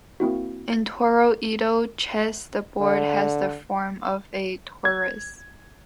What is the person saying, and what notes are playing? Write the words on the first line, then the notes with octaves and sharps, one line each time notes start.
In Toroidal chess the board has the form of a torus.
A#3 C4 E4 F#4
D3
G#6